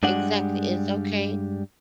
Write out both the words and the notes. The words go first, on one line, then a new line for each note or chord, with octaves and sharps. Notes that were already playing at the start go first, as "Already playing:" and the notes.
Exactly, it's okay.
G2 G3 G#3 D4 F#5